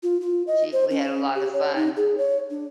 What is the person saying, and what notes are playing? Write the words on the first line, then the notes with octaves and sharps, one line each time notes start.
She we had a lotta fun.
F4
F4
D#5
C5
C#4
G4
C#5
D#4
G#4
C#5
D4